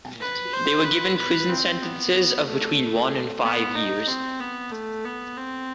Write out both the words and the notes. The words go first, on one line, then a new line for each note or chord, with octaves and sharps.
They were given prison sentences of between one and five years.
B4
C5
B4
B4
C4
B3
A3
B3
D#4
C4
B3
A3
B3
C4